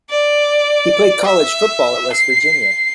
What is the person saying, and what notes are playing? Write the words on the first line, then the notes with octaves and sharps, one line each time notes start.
He played college football at West Virginia.
D5
E5
C7